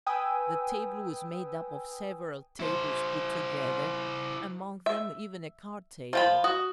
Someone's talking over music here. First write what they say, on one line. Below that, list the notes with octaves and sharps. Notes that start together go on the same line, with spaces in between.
The table was made up of several tables put together, among them even a card-table.
B4 G5 G#5 D#6 E6
E4 C5
E5
F3 F4 B5
F#4 D#6